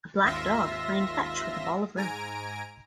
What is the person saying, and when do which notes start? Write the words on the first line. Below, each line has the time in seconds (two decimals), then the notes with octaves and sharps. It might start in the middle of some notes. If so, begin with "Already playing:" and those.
A black dog playing fetch with a ball of rope.
0.24 G#1 D#2 F4 E5 C6 A#6
1.96 G#2 G#5 A#5 D7